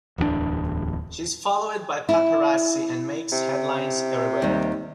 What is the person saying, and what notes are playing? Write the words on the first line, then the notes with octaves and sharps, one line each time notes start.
She is followed by paparazzi and makes headlines everywhere.
D1 E2 E3 D4
E4
C3
D#2 G3